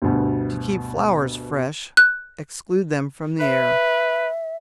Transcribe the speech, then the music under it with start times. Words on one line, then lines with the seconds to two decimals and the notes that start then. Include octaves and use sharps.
To Keep Flowers Fresh exclude them from the air.
0.02 D2 G2 B2
1.97 F#6
3.41 B4 E5